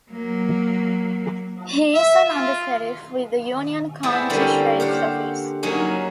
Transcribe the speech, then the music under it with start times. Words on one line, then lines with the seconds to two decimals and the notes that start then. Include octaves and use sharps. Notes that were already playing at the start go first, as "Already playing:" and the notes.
He is an Undersheriff with the Union County Sheriff's Office.
0.11 F#3 A#3
1.94 E5
2.29 F4
4.03 B3 C4 E4 G#4 D5 G5
4.30 D3 G3 A#3 C4 C#4 G4
4.80 G4 C5 F5 F#5
5.63 C#3 F#3 A#3 C#4 D#4